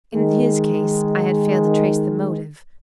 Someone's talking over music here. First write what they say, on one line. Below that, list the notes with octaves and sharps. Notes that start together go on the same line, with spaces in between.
In his case I had failed to trace the motive.
D#3 G#3